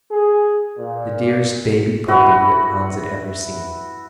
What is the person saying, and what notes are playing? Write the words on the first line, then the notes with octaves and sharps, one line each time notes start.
The dearest baby puppy that Hans had ever seen.
G#4
A#2
E4 F#4 B4